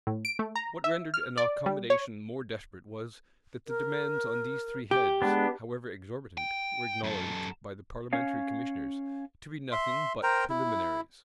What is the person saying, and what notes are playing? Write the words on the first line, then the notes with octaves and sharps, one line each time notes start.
What rendered an accommodation more desperate was, that the demands on these three heads, however exorbitant, were acknowledged, by the parliamentary commissioners, to be nothing but preliminaries.
A2
D7
A3
A#5
E5
F6
D5
G3
C#5
A#4
G4
G#3 B3 D4
G5
F#2 A4
C#4 C#5 F5
E5 C6
A#4 C5 G5 A#5
E4